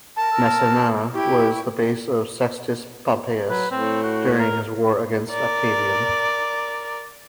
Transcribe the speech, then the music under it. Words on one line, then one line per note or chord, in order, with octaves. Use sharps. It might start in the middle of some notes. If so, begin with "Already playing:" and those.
Messana was the base of Sextus Pompeius, during his war against Octavian.
A#4 A5
A#4 E6 F6
E4 G4 G5 C#6
F#3 B4
A2 C4
F#4
A#4
A#4 D5